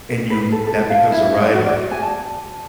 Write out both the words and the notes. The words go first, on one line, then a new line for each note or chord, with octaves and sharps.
and you get that because of write-off.
B4
A4
A4
F5
E4
D5
F#4
D5
G#5
A5